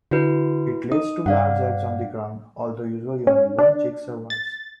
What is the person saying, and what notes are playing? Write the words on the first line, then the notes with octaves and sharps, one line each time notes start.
It lays two large eggs on the ground, although usually only one chick survives.
D3 E4 F#4 B4
D#4 D#6
G2 D5 F5 F#5
C#4
D4
A6